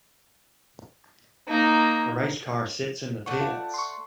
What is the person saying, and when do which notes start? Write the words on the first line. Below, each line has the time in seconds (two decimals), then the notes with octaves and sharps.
A race car sits in the pits.
1.48 A#3 D#4
3.26 A3 D5 F#5 C#6
3.41 F4
3.74 C6 C#6